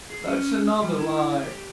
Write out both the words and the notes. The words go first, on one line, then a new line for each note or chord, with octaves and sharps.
That's another lie!
G#4
C#4
G3
E4
G4